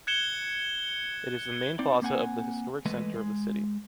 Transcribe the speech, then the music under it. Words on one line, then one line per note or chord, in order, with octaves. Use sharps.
It is the main plaza of the historic center of the city.
F#6 G#6 C#7 E7 G7
C4 D#4 D5
A#3 C4 F#5 G#5
E3 G#3 A3 B4 D#5
G#3